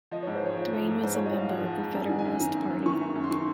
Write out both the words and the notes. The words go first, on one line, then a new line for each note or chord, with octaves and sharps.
Duane was a member of the Federalist Party.
F3 D#5
C#5
G#2
C5
F3 C#5
F3
F3
G#2
G#2 C5
C#5
F3
D#5
G#2 F5
F3 F#5
F3
G#2
F#2 A#5
G#5
D#3 F#5
G#5
F#2
D#3 A#5
F#2
F#2
D#3 C#6
F#2
F#2
C6
D#3 C#6